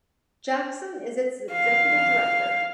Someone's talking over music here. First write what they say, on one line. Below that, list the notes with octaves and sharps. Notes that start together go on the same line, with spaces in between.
Jackson is its executive director.
F5